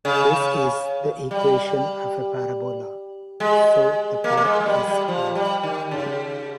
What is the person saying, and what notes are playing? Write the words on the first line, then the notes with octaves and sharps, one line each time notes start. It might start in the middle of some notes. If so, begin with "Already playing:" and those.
This is the equation of a parabola, so the path is parabolic.
C#3
G3
G#3
A#3
A#3
G#3
G#3
G3
G3
F3
G3
D#3
C#3